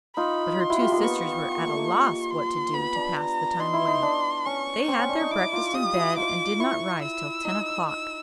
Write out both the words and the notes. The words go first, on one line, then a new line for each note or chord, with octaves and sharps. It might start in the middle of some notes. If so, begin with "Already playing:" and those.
But her two sisters were at a loss what to do to pass the time away: they had their breakfast in bed, and did not rise till ten o'clock.
D#4 F4 B5
C6
E4 F#4
F4 G4
D#4 F4
A#3
B3 C#6
B3
A#3
A3
A#3
C6
B3 B5
D4
A#5
D#4 C6
E4
D#4
D4
C#4 C#6
C4
C#4
D4
D#4
E4 D6
D#4 F4
F4 G4 D#6
E4 F#4
D#4 F4 D6
E4 C#6
E6
D#4
E6